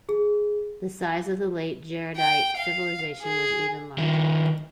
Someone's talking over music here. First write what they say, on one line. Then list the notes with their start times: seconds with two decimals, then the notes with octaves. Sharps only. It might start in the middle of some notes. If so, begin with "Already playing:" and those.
The size of the late Jaredite civilization was even larger.
0.09 G#4
2.17 G5
2.57 F5
3.22 G#4
3.98 D#3 F3